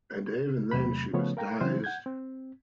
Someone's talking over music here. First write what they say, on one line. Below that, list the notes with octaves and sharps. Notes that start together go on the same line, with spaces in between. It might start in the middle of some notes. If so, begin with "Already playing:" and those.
And even then she was dazed.
E2 C3 F#3 A3 B5
C#3 F3 A3 B3 C#4 C#5
A#4 F5 G5 A#5
C#3 E3 F#3 C4 E4 C5
F#5 G6 G#6
C4